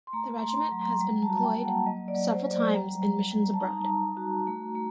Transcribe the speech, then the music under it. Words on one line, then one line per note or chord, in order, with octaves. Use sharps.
The Regiment has been employed several times in missions abroad.
C6
A3 A#5
A3
C6
A#5
F#3
G3 A#5
A5
F#4
A5
G5
A#3
F#5
F#3 D#5
D5
F#3
C5
F#3
D5
G3 A#5
G3
G3
A5
D#4 A#5
D#4
F#4
A3
A3